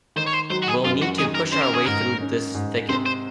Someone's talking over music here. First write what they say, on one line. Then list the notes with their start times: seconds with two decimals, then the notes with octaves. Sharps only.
We'll need to push our way through this thicket.
0.16 D#3 C5
0.27 C#5
0.33 C5
0.50 F#3 C5
0.62 F#4
0.68 G#4
0.84 F#2 F4
1.02 F#4
1.18 D#3 G#4
1.35 A#4
1.53 C#4 C5
1.63 A#4
1.75 G#4
1.86 G#2 A#4
2.21 C#4
2.55 G#2
2.89 C3 C5
3.06 C5